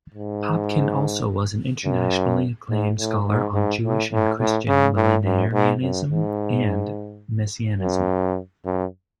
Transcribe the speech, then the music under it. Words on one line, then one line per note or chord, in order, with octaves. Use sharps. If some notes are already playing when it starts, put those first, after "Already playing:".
Popkin also was an internationally acclaimed scholar on Jewish and Christian millenarianism and messianism.
G#2
F#2
G#2
A2
G#2
G#2
A2
A2
A2
C#3
A2
F#2
G#2
F#2
G#2
F#2
F#2